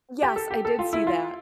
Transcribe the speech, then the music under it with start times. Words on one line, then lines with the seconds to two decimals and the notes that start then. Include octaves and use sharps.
Yes. I did see that
0.22 G4
0.36 A4
0.51 G4
0.65 A4
0.79 F4
0.93 E4
1.07 F4